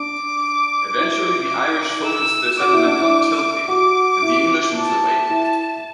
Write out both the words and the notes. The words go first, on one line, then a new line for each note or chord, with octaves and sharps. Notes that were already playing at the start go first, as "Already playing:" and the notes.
Eventually the Irish focused their settlement on Tilting, and the English moved away.
Already playing: D4 D6
E4 D6
E6
F#4 D6
E4
D4
E4
F#4 D6
E4
A5
E4